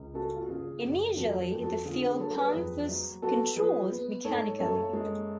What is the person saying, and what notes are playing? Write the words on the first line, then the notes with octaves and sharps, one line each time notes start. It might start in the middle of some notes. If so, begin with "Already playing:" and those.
Initially, the fuel pump was controlled mechanically.
Already playing: C#2
C#4 F#4 A4
F4
F#4
C#3 F4 G#4
F#1
F2 F#4 A4
F#4 A4
F2
F#4 A4
D3 F4 G#4
G#4 B4
F#3 A4 C#5
G#4 B4
F2
F#3
B3 F#4 A4
F3 G#4 B4
B3
G#2 A4 C#5
F#2 A4 C#5
G#3